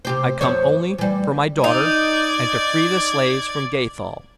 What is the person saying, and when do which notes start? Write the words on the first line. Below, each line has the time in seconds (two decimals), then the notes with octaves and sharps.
I come only for my daughter and to free the slaves from Gathol.
0.05 C3 G4 C5
0.41 F2 C5 C#5
0.98 E3 G3
1.64 D#4 D5 G#6